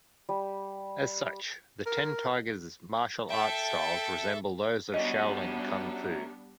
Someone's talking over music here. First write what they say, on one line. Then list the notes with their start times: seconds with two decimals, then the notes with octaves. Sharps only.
As such, the Ten Tigers' martial arts styles resemble those of Shaolin Kung Fu.
0.29 G3
1.86 A#4
3.31 A4 E5 G5
4.94 G3 B3 C#4 D4 F#4 D#5